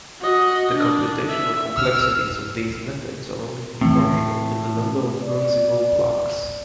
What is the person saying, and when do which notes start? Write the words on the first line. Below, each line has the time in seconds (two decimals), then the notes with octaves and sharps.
The computational complexities of these methods are only proportional to the number of non-zero blocks.
0.21 F#4 D#5
0.75 D4
1.29 E5
1.76 E6 F6
3.81 A2 E3 C4
5.23 D5